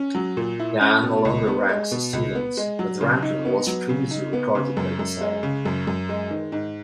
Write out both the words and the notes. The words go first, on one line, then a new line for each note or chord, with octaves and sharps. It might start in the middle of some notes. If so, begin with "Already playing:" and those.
Gunn no longer ranks students, but ranking was previously recorded by decile.
Already playing: C#4
F#3
A#2
E4
C#4
B2
C#2
B3
G#3
B2
C#2
B3
G#3
F#3
C#3
D#4
B3
F#3
C#3
D#4
B3
C#3
F#2
F#2
G#3
C#3
F#2
F#2
G#3
D#3
G#2